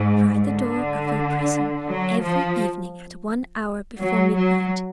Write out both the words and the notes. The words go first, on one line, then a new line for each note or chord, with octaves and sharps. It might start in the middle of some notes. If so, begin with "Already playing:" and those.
Try the door of your prison every evening at one hour before midnight.
Already playing: G#2
D3
F#3
F3
F#3
F#3